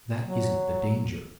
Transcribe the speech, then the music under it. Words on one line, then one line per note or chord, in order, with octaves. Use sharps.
That isn't the danger.
F#3